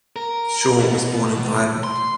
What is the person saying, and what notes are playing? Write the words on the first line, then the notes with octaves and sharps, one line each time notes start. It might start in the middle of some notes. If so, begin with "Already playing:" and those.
Shaw was born in Ireland.
A#4
B2
C6